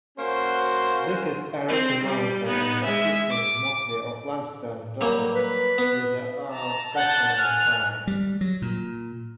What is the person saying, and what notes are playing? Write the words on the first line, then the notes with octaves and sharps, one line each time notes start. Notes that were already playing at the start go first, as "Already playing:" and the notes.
This is a rocky mountain, consisting mostly of limestone, dotted with the occasional pine.
A#3 C#4 F#4 C5
C4
G3 G4
B3 D#4
G#3 E5
D6
F#3 G3 A#3
B4
B3
A5 A#5
F#5 A5 G6 A6
G#5 F6 F#6
G3
F#3
A#2